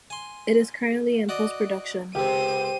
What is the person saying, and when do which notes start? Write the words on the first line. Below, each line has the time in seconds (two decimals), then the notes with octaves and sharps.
It is currently in post-production.
0.10 G#5 C6
1.29 F#4 D5 D#5
2.15 C#2 C4 G4 C5 D#7